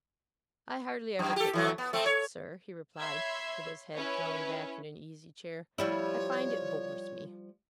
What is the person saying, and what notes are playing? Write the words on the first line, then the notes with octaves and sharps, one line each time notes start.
'I hardly ever take breakfast, sir,' he replied, with his head thrown back in an easy-chair. 'I find it bores me.'
F#2
G4 A4
E3 F#3 A3
B3
A3 C4
C#5
C#5 E5 B5 C6 E6 G#6
C#4 E4 B4 C#5
F3 G3 E4 C#5